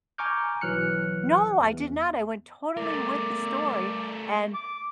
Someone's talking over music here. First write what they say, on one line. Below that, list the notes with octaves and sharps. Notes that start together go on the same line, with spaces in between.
No, I did not, I went totally with the story and
G#5 A#5 C#6 D6 F6 G6
B1 E3 F#3 F6 F#6 C#7
E2
A3 A#4 D5
D6